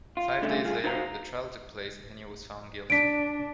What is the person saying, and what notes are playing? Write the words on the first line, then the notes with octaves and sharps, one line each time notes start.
Five days later, the trial took place and he was found guilty.
F4
G2 D3 A3 C#4 F4
C2 F4 G#4
D#4 F#4 C5 F5 G#5 A#5
D4 B6 D7